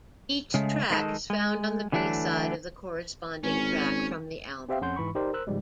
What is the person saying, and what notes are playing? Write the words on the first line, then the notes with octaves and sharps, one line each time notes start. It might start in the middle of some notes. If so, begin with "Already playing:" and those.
Each track is found on the B-side of the corresponding track from the album.
C#3 G#3 A3
D#3 G#3 A#3 D4 D#4 A4
G#3
D3 E3 F#3 A3 D4
G#1 C#4
C4 G4 C5 E5 F5 G5
F2 C#4 F#5 C6 G6
G#2 E3 B5 C#6
D#4 G4 A#4 C5 D5
A#4 C5 E6 F#6
G#2 C#3 F3 G3 G#3